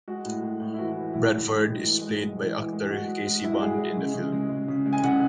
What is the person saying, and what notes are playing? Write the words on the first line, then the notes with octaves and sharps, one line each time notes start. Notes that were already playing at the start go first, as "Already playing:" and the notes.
Bradford is played by actor Casey Bond in the film.
G#3 F#4
A2
A2
A2
E4
E3 F#4
E3
A2 E4
A2
G#3
A2
E3
G#3
G#3
E3
E3
G#3
G#3 F#4
G#3
G#3
G#3 E4
F#4
G#3 G#4
G#3
C#3
C#3
G#3
G#3
C#3
G#3
G#5
C#3 F#5